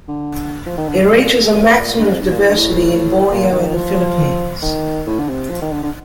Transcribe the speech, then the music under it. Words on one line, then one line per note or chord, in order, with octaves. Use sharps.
It reaches a maximum of diversity in Borneo and the Philippines.
D3
F3
D#3
D3
A#2
A#2
G2
F2
G2
A#2
A2
G2
A2
A#2
D#3
F3
D#3
A2
D3
C3
F3
D#3
D3
D3